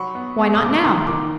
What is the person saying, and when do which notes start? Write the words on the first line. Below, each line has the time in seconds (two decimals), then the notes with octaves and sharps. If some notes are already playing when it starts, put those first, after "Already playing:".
Why not now?
Already playing: F#3 B5 C#6
0.15 B3
0.39 B3
0.55 D#6
0.61 A#2 D6
0.75 C#6
0.84 D#3 A#5 C6
1.07 D#3 C6 D6